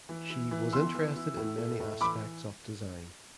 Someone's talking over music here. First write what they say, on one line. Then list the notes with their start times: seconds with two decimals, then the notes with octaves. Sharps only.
She was interested in many aspects of design.
0.09 E3
0.30 E4
0.51 E3
0.72 B3 C6 E6
0.95 E3
1.16 E4
1.37 A2
1.58 A3
1.80 A2
2.01 E3 B5 D6